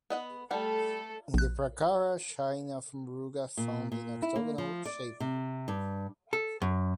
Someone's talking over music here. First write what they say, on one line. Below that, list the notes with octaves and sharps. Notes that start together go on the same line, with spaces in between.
In the prakara shrine of Muruga found in octagonal shape.
B3 D#5 F#5
G3 A3 A4 F#5
A#1 F#6
A#2
A#2
E4
A#3
F3
D5
C3
G2
A4
F#2